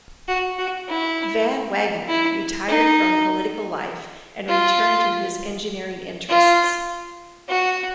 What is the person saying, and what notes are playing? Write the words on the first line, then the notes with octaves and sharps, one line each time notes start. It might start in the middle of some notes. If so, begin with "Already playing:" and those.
Van Wagoner retired from political life and returned to his engineering interests.
F#4
F#4
E4
E4
D#4
F4
F4
F#4